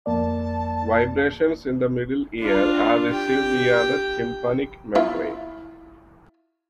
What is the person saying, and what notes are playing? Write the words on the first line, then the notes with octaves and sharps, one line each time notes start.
Vibrations in the middle ear are received via the tympanic membrane.
F2 A#3 D5 A5
D4 F4
G4 G5
E4 F4